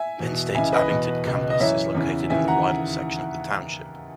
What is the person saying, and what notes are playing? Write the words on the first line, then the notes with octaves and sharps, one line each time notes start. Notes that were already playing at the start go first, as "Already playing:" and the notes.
Penn State's Abington campus is located in the Rydal section of the township.
Already playing: E5 G#5
E2 B2
C#2 C#3 E3 E5 G#5
B4 D#5
E2 B2
C#2 B2
D#5
F#2 E3 C#5 E5
E2 C#3 E3
D#2 C#3 E3 E5 G#5
F#5 A#5